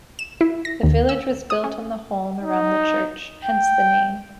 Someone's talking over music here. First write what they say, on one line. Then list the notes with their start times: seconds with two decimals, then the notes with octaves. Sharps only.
The village was built on the holme around the church, hence the name.
0.19 E7
0.41 E4
0.65 A#6
0.83 D#2
1.09 E6
1.50 D#6
1.64 C#4
2.43 D#4
3.44 G5